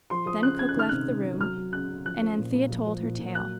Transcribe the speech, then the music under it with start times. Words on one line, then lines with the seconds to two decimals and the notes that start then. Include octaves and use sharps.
Then cook left the room, and Anthea told her tale.
0.10 F3 C6
0.26 F3 D#6
0.43 C#3 F#6
0.59 C#3 G#6
0.69 F#6
0.75 D#3 F6
0.89 C3 F#6
1.08 C3
1.24 F#3
1.41 F#3 F6
1.57 F#3
1.73 C#3 F#6
1.89 C#3
2.05 F3 F#6
2.22 F3
2.38 A#2
2.54 A#2
2.70 F3
2.86 F3
3.03 A#2
3.19 A#2
3.35 F#3 F#6